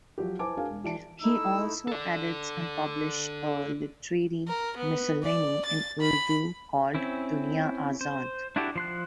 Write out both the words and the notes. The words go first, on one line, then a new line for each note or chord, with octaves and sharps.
He also edits and publishes a litetary miscellany in Urdu called "Duniyazad".
F3 F#3 F#4 G4
E4 B4 C5 G#5 A5 D6
D4 F#4 G#4 A#4 F5 G#5
E1
E3 F#4 D5 A5 D7
A3 D#4 E4 E6
A4 D5
A#4
B3
D5
A6
B5
C4 C#4 E4
C5
D4 E4 F#4 G4 A4
F3 C6 F#6